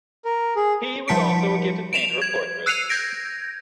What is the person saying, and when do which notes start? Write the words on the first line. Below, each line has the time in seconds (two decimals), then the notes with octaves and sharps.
He was also a gifted painter of portraits.
0.25 A#4
0.56 G#4
1.08 F3 G3 A5 B6 C#7 D7
1.93 D7 E7 F7
2.22 G#6
2.66 E6 F#6 C7 C#7 D#7 F7
2.89 G6 G#6 A#6 D7